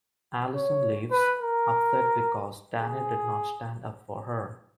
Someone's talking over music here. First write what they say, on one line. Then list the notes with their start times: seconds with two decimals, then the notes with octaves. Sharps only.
Allyson leaves, upset because Danny did not stand up for her.
0.54 C#5
1.11 B4
1.39 A#4
2.80 G#4